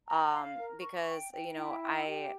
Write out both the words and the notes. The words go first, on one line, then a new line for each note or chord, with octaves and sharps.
um, because, uh, you know, I
A#5
F5
A#4
C#6
G5
G5
E4
G5
G4